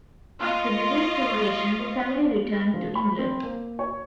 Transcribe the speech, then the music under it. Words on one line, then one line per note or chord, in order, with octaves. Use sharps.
After the Restoration the family returned to England.
F4 D#5 F5 C#6
F3
B5
C4
A#3
C#5